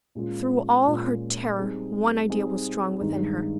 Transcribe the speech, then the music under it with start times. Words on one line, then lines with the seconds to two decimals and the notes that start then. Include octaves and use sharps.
Through all her terror one idea was strong within her.
0.15 A#2 G#3 C#4 F4
0.86 A#2 G#3 C#4 F4
1.57 G3 C4 D#4 G#4
2.29 G3 C4 D#4 G#4
3.01 G2 D#3 G#3 D#4